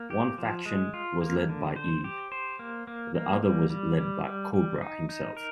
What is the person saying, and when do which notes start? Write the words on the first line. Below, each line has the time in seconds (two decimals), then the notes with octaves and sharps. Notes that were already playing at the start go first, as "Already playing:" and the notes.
One faction was led by Eve; the other was led by Kobra himself.
Already playing: A#3
0.10 G4
0.38 F3
0.66 G#3
0.94 F4
1.21 A#3
1.49 D3
1.76 C5
2.04 G4
2.32 C5
2.59 A#3
2.87 A#3
3.15 A#3
3.43 G3
3.70 G3
3.98 G3
4.25 G3
4.54 G3
4.82 D#4
5.09 D#4
5.37 A#4